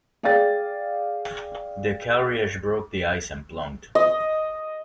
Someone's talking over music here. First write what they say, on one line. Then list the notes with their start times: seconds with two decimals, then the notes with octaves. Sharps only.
The carriage broke the ice and plunged.
0.23 G#4 D5 F5 G5 A6
3.95 D#5